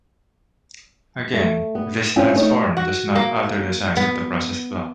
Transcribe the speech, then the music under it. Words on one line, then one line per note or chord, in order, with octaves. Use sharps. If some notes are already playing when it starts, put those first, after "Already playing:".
Again, this transform does not alter the size of the processed block.
A3
B3
C4 C#4 E4 F4 B4 E5
A3 D#4 C#5
F#4
A#3
B3